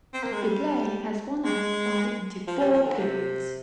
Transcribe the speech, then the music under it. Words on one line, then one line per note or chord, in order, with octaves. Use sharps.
The play has one act divided into four periods.
C4
A#3
G#3
G3
G#3
F3
G3
F3
D3
C3